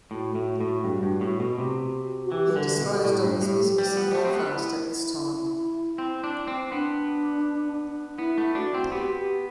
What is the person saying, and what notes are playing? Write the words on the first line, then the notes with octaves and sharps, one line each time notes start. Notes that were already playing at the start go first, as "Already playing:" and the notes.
He disposed of his business in Belfast at this time.
A2 F#4
A2
A2
G2
G2
A2
B2
C3
F#4
E3 G4
B4
D3 A4
B2 A4
A2 G4
G2
A2
G3
B3
G3
A3
C4
B3
E4
C4
D4
C4
B3 D4
B3 E4
A3
D4 F#4
C4
B3 G4
G4